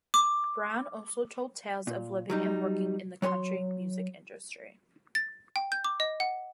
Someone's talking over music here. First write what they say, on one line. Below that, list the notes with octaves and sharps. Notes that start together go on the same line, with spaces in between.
Brown also told tales of living and working in the country music industry.
D6
A#2
F#3 G3 D#4
F#3 C#5 G#5 C6
A6
G5
G6
D6
D#5
F#5